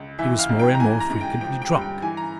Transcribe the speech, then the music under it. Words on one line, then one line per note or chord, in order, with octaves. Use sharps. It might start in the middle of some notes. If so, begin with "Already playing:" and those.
He was more and more frequently drunk.
Already playing: C#2
E3 E5
F5
G#2
G5
A#5
E3 G#5
A#5
G#2
G5
F3 G5
G5
G2
G5
E3 G#5
A#5